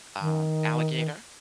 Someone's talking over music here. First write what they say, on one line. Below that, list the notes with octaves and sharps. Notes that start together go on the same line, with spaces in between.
um, alligator,
D#3